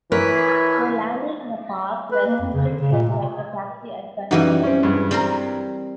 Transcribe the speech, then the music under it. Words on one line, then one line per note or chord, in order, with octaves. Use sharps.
They landed in a park where Killick hijacked a taxi at gunpoint.
E3 A#4 B4 C#5 E5
B4
A#3
F2
C#3
D3
C#3
A#2
C3
F#2 E3 G3 D#4 F#4
C4 C#4
G2 G#3 B3
G3 C4 A#4